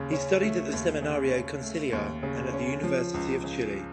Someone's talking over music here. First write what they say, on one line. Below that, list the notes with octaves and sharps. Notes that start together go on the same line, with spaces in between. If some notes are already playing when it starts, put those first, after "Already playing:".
He studied at the Seminario Conciliar and at the University of Chile.
Already playing: D#2 C#3
C#4
A3
D#2
C#3
C#4
A3
D#2
C#3
C#4
F3
C#2
C#3